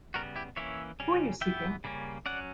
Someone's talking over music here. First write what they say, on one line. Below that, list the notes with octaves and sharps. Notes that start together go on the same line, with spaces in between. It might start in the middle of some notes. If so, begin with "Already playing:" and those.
Who are you seeking?
C#3 G3 B3 F#4 A#4
E4 G4
E3 A#3 C#4 C#5 E5
C#3 G3 C#4
E3 B3 E5 G5
C#3 G3 A#3 C#4
F#3 C#4 D5 F#5